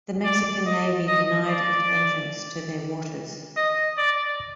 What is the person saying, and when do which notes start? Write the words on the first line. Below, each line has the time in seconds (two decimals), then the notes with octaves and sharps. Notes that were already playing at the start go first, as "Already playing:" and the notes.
The Mexican Navy denied it entrance to their waters.
0.24 D5
0.67 D#5
1.08 D#5
1.50 D5
3.57 D#5
3.98 D5